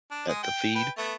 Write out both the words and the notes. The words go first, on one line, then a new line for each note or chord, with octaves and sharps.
a at the feed,
D4
G#3 D#6
G5
B4 G5
A3 B3 E5